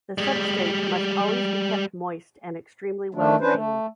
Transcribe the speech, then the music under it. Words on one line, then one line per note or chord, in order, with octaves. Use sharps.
The substrate must always be kept moist and extremely well drained.
G3 G#3
D#3 A3 D4
C#4 D4 B4 C5
A3